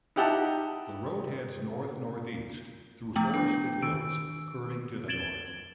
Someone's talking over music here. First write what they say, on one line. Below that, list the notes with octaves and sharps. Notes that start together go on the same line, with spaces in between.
The road heads north-northeast through forested hills, curving to the north.
D#4 E4 G4 F#5 A5
F3 A3 B3 G5 F#7
D4 G5
D#3 E6 D7
G#6 A6 D7 E7 F#7 G7